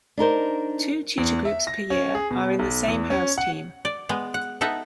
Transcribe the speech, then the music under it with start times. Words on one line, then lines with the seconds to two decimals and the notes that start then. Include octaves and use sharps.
Two tutor groups per year are in the same house team.
0.18 D4 D#4 A#4 C5
1.18 E2
1.45 E5
1.67 A#6
1.90 C#4
2.15 G#4
2.31 B2
2.59 B1
2.88 E2
3.10 C#4
3.38 F#5
3.85 D5
4.09 G#3 B3
4.34 F#5
4.61 B3 D#4 A4 E5 F#5